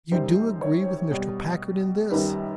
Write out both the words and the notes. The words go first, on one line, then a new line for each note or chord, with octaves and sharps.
"You do agree with Mr. Packard in this?"
F#2 D#3 G3 C5
C#5
B2 G3
F#2 D#3 G3 B4